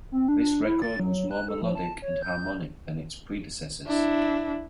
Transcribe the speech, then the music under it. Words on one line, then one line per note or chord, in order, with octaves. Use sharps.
This record was more melodic and harmonic than its predecessors.
C4
D4
E4
A6
F#3
F#6
A4
F3
A5
C#5
G6
D4 E4